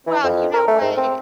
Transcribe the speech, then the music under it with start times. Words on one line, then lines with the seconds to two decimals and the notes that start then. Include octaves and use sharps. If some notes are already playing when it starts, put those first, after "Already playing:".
Well, you know what, i
0.07 E3
0.23 F2
0.54 A#4
0.68 A3
0.81 G#2
0.97 C4